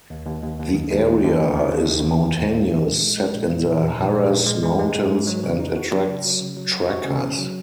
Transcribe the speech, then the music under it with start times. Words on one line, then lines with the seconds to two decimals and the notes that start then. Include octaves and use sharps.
The area is mountainous, set in the Haraz Mountains and attracts trekkers.
0.10 D#2
0.26 D#2
0.42 D#2
0.59 D#2
0.74 D#3
0.91 D#2
1.07 D#2
1.24 D#2
1.39 D#2
1.55 D#3
1.71 D#2
1.88 D#2
2.04 D#2
2.21 D#2
2.36 D#2
2.53 A#3
2.69 A#1
2.85 A#1
3.01 G#3
3.17 G#3
3.34 A#1
3.49 A#1
3.66 A#1
3.82 A#1
3.98 A#1
4.15 G#3
4.30 A#1
4.46 G#3
4.63 G#3
4.79 G#3
4.95 G#2
5.11 G#2
5.27 F#3
5.43 C#3
5.60 D#4
5.76 F#4
5.92 F#3
6.09 C#3
6.25 F#3
6.41 C#3
6.57 F#3
6.73 F#4
6.90 F#4
7.05 C#3
7.21 C#3
7.38 F#3